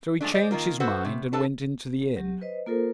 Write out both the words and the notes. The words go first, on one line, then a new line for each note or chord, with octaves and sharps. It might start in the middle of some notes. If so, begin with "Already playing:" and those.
So he changed his mind, and went into the inn.
F3 G#3 A3 D4
C5 D5 D#5
D#3 A#3 F4 A#4
F#4 A4 B4 C5 F#5
C3
D4 A4 B4 A5
F#3 G4
B4 C5 D#5
A#3 F4 A4 A#4 C5